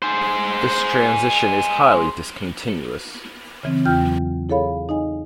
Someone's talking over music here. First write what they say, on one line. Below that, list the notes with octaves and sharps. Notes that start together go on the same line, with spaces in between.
This transition is highly discontinuous.
G#4 C5
C#3 E3 C4
E2 F4 G5 F6 G6
F#3
E4 G#4 A4 C#5 F5 B5
D#4 D#5 G#5